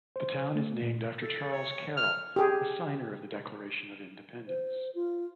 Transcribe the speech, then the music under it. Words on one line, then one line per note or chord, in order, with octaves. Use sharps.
The town is named after Charles Carroll, a signer of the Declaration of Independence.
C5
A3
A#2
A4
C#5
F6
G4 G#4
C5
F4